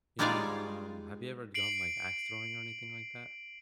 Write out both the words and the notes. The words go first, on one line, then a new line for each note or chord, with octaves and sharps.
You know, um, have you ever done, like, axe throwing or anything like that?
G3 G#3 D#4 F4 D5 F5
C7 D7 F#7